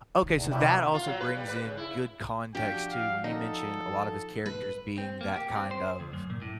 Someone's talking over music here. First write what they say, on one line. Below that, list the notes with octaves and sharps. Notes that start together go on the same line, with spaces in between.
Okay, so that also brings in good context too, when you mentioned a lot of his characters being that kind of
D#3
E2 C3
F2 F#3 G3 B3 C#4 E4
A#3
F4
F#3
B4
G3
B4
C#3
E4
F3 D4 F#4 G4 G5
F5
D#4 A4
B4
C4
A#3
G4
C4
C5
D2
F#2
A#2
A2